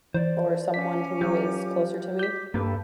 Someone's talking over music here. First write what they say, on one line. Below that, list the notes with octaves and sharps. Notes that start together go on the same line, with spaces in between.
or someone who is closer to me,
E3 C5 D5
C#4 D6 B6
F#3 F4 G4
D6 G6 B6
G2 A#3 G4 A4 B4